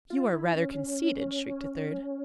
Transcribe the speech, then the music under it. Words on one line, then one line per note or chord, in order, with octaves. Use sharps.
"You are rather conceited," shrieked a third.
F4
E4
C#4